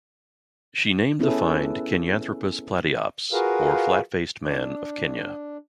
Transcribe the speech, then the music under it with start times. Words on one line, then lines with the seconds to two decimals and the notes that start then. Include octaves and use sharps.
She named the find "Kenyanthropus platyops", or flat-faced man of Kenya.
1.19 B3 C#4 E4 G#4 A4 B4
3.33 F4 F#4 G#4 A#4 B4 F5
4.43 D4